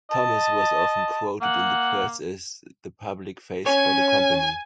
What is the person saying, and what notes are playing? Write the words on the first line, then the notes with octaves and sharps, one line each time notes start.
Thomas was often quoted in the press as the public face for the company.
D#5 A5
A#3 F#5
C#4 C#5 G#5